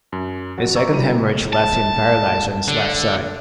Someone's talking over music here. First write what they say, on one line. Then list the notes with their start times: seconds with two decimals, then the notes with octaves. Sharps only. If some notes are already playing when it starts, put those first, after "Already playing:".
A second haemorrhage left him paralysed on his left side.
0.12 F#2
0.58 F2 F#3 F#4
0.75 A#5 C#6 D6 E6
0.91 F#3 G3 E4 A#5 D#7
1.53 A5
2.68 D3